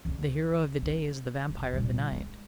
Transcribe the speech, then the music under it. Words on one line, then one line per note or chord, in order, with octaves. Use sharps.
The hero of the day is the vampire of the night.
C#2 D3
C#4
E1
A#2 G3
G#3